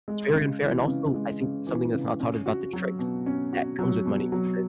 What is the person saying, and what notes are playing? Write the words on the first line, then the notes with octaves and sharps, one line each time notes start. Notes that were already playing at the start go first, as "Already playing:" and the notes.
it's very unfair, and also I think something that's not taught is about the tricks that comes with money because
G#3
C#3
E3
C#3
G#3
C#3
E3
C#3
C#4
F#4
F#3
B2
C#4
F#4
F#3
B2
F#3